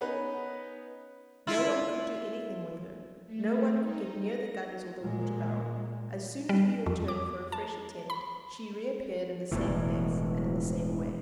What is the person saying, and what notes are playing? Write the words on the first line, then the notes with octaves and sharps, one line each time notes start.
No one could do anything with her; no one could get near the guns or the water-barrel; as soon as we returned for a fresh attempt she reappeared in the same place and in the same way.
B3 C#4 D#4 B4
E4 F4
A3
D#4
A#6
A#2 G#3
G3
F2
D6
A5
B5
E1 A2 E3